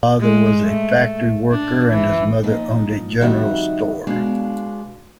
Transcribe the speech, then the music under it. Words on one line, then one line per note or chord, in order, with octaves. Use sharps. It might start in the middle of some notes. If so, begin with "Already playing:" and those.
His father was a factory worker and his mother owned a general store.
G#3
A3
D4
E3
A#2 F3 D#4
F2 D#3 G3 D#4 F#4 E5
B2 G#3 D4 F5